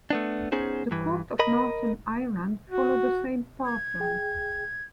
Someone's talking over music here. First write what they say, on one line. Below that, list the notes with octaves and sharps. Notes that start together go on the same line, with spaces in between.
The Courts of Northern Ireland follow the same pattern.
A3 B3 D4
B3 C#4 D#4 G#4 C5
G2 E3
A#4 D#5 B5
F#4
G#6
G#4 G5